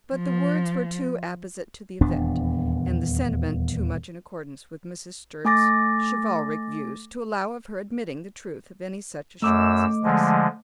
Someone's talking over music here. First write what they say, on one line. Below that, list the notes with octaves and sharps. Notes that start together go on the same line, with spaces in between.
But the words were too apposite to the event, and the sentiment too much in accordance with Mrs. Sturt's chivalric views to allow of her admitting the truth of any such assurance as this.
F3
D#1 E2 B3 D4
A3 G#5 D6 A6 A#6
F#2 A3 D6 E6
D3 F3 G#3